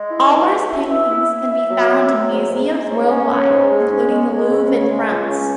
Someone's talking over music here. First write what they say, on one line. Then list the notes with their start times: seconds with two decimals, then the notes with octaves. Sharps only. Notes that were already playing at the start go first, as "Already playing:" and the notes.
Oller's paintings can be found in museums worldwide, including the Louvre in France.
Already playing: G#3
0.10 E4
0.31 B2
0.50 B2
0.70 E4
0.90 E5
1.10 E4
1.30 E5
1.51 E5
1.70 F#3
1.91 E5
2.10 F#3
2.30 G#2
2.50 G#2
2.70 G#2
2.90 C#4
3.10 C#4
3.30 C#4
3.50 G#2
3.70 G#3
3.90 C#4
4.10 G#3
4.31 G#3
4.50 C#3
4.70 C#4
4.89 G#3
5.10 C#2
5.29 C#4